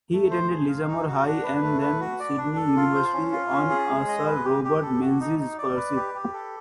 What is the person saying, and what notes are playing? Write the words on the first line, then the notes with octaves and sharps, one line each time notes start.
He attended Lismore High and then Sydney University on a Sir Robert Menzies scholarship.
A3
C5
G#4
F5
D#4
F#4
D4
B4
A3
B4
F#4
D5
D4
A4
F4
C5
C#4
F4
C#4
G#4
G#3
D#5
B4
G4
G4
A4
F#4
D#4
D#4
D5
B4
G4
G4
A4